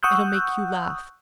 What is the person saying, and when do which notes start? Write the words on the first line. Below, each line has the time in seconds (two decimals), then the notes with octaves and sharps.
It'll make you laugh.
0.03 F#5 C#6 D#6 E6 F#6 G6